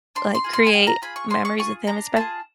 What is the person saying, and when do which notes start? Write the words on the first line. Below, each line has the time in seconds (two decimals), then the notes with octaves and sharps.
like create memories with him, espe
0.15 D4 C6
0.35 C6
0.44 F4 G#4
0.53 C6
0.67 G#5
0.73 C#4 G5
0.87 A#5
1.02 F4 G#4 B5
1.16 C#6
1.30 C#4 C6
1.45 C#6
1.58 F4 G#4 C#6
1.87 D4 A#5
2.16 F4 G#4 A5